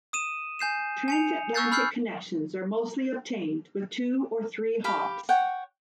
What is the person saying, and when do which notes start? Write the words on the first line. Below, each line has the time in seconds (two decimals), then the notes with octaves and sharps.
Transatlantic connections are mostly obtained with two or three hops.
0.13 D#6 D#7 E7
0.59 G#5 G6 C7 E7
1.08 G#5 C#7 F7
1.54 C#6 E6 F#6 G6 A6 C7
1.72 B5 E6 F6 G6 C7
4.84 G4 F5 B5
5.29 C#5 F#5 G5